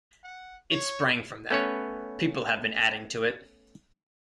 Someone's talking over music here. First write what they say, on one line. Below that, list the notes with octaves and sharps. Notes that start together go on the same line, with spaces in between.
It sprang from that, people have been adding to it.
F#5
C#5
A3 B3 C#4 B4 C#5